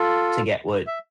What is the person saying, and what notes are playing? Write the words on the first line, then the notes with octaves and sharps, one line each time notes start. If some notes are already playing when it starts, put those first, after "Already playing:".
to get what
Already playing: F4 A4
E5